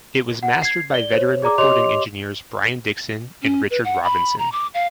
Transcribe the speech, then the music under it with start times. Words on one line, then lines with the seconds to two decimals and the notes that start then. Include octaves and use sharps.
It was mastered by veteran recording engineers Brian Dixon and Richard Robinson.
0.43 F#5
0.62 G#6 C7
0.90 D5 G7
1.12 C5 C#5
1.42 G#4 D5 A#5 D6
1.58 G4 C#5 D#5 C6 D6 F7
3.43 C#4
3.70 B4
3.84 F#5
4.03 B5
4.38 A#5
4.52 D6
4.74 F5